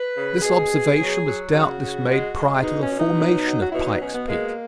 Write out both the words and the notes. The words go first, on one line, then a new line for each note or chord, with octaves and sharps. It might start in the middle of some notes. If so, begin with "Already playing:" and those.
This observation was doubtless made prior to the formation of Pike's Peak.
Already playing: B4
C#3
B2 G#4
B2
F#3
F#3
C#3 F#4
C#3
G#3
G#3
B2 D#4
C#4
B2
D#4
F#3
F#3
F#4
B2 E4
D#4
B2 C#4
B3
G#3 A#3